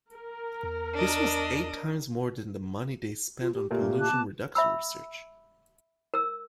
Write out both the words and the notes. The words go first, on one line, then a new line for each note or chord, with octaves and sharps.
This was eight times more than the money they spent on pollution reduction research.
A#4
E2
D4 D#5
F4
G4
A#2 A3 A#3 G4
A5 D6 F#6
B3
E5 B5 E6
A#4 E6